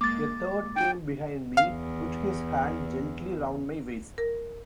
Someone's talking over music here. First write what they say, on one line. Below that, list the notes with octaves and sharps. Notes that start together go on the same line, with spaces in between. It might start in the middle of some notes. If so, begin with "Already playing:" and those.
A third came behind me, put his hand gently round my waist.
G#3 A#3 D6 A6
D#4 F#4 G5 G#5
E2 F5
A#4